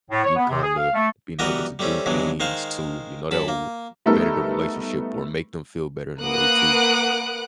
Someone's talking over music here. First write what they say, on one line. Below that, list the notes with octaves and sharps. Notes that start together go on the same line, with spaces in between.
you kinda being able to do things to, you know, that will better the relationship or make them feel better in a way too.
A2
C#5
B3
C3
G#4
F5
A3
E3 G3 B3 F#4 A#4 D#5
G3 A3 C4 C#4
G2 B2 E3 F#3 G#3
D#3 G#3 C5 F5 C#6
F#2 A5 B5
A#3
G3 A3 B3 D#4 A4 A#4
A#3 B4 F#5 D#6 F#6 D7